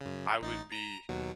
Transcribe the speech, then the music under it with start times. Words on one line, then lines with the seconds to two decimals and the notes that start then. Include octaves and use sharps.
I would be
0.01 F#2 C#3
0.41 A1 D#4 A6
0.72 A#5 A#6
1.09 D#2 B2 F#3